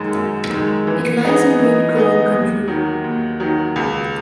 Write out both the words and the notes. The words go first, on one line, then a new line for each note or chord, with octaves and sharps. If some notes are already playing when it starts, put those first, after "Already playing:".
It lies in wheat-growing country.
Already playing: F#2 D#3 G#3
F#2
D#3 G#3
E3
B3 D#4 G#4 D#5
E3
B3 D#4 G#4 D#5
D#2
D#3 F#3
D#2
D#3 F#3
C#2